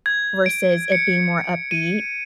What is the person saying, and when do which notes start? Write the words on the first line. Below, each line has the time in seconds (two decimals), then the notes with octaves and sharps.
versus it being more upbeat,
0.06 G#6
0.46 D7
0.92 C#7
1.71 D#7